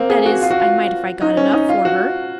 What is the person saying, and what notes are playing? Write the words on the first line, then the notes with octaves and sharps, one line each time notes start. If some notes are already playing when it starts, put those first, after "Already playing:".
That is, I might if I got enough for her.
Already playing: A#3 C4
G#4
F#4
F4
F#4
F4
D#4
C#4
D#4
F4
F#4